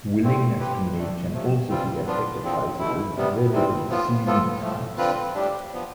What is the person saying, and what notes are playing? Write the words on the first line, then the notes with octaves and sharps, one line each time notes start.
Willingness to mate can also be affected by the available seaweed types.
E2 D3 A3 C4
F3 C4 G4 B4
D2 D3 A3 D4
C3 F3 A3
E3 G3 C4 F4
F3 B3 D4 F4
E2 D3 F3 C4
B2 A3 E4
C3 G3 B3
C3 E3 G3 C4
A2 F3 B3 F4
A2 F3 B3 F4 A4
A2 F3 A3
D3 F3 C4 F4 B4
A2 G3 D4 G4
F3 B3